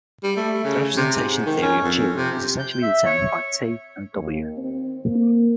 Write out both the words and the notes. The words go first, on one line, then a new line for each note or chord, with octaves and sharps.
The representation theory of "G" is essentially determined by "T" and "W".
G3
A3
C#3
C3
G#2
D#3
C#4
F2
C3
G6
E5
C#5
D#2
C4
A#3